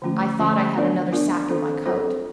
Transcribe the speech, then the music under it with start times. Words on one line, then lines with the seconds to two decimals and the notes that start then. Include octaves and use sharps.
I thought I had another sack in my coat.
0.02 D3 F3 A3 C#4 F4
0.39 D3 F3 A3 C#4 F4
0.75 B3 D4 F4 A#4 D5
1.12 B3 D4 F4 A#4 D5
1.49 C4 F4 A4 C5
1.86 C4 F4 A4 C5